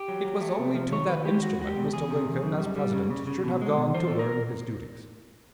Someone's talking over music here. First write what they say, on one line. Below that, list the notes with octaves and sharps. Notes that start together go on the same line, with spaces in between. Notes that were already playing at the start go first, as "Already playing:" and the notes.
It was only to that instrument Mr. Lincoln as President should have gone to learn his duties.
Already playing: G4
F#3
F#3
A3
C3
F3
D#3 C#5
D#3 B4
G#3 G4
G#3 F#4
G#3 F#4
G4
B2
E2 G#4
C3
E2
F#2
G3
G3
C#3
C#3
C#3
B2
G#3
B2
E3 C5
A2 A4
A#4